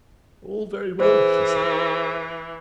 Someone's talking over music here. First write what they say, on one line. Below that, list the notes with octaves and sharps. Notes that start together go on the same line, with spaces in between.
"All very well," she said.
E3 G#4 C5